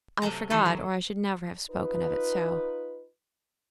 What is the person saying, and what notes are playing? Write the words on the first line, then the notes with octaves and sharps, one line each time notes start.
I forgot, or I should never have spoken of it so.
C3 F#3 A3 A#5
D#3 E3 G3 A4
F#3
D#4 F4 B4